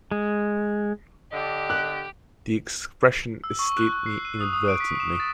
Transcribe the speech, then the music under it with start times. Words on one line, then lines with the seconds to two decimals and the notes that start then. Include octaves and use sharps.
The expression escaped me inadvertently.
0.11 G#3
1.32 D3 G4 D#5
1.70 F#6
3.44 E6
3.59 C#6
3.77 F#6
3.92 F#6
4.06 C7
4.25 D#7
4.41 D#6
4.53 D#6
4.68 D7
4.80 B6
5.00 E7
5.20 A6